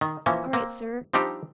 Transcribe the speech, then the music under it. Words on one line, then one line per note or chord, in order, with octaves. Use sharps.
'All right, Sir.
D#3
E3 F3 A#3 C#4
A#3 C4
F3 G3 C4 D4 D#4 G4